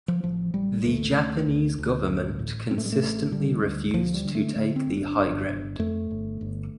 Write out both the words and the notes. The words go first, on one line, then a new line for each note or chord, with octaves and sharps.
The Japanese government consistently refused to take the high ground.
F3
A1 F3
A1 G3
D2 A3
D2
D2
D2
A1
A2
A2 C4
A3
G3
A3
A1
D3 G3
D2
D2 F3
G3
D3
A3
D3 A3
C4
G1
D4
G1
G1
F2 A3
G1
G1